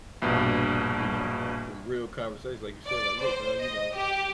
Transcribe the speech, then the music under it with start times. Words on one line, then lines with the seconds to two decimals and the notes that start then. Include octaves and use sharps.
you know, them real conversations like you said, like, look now, you know,
0.22 A#1 G2 B2
2.87 D5
3.19 C5
3.60 D#5
3.93 G4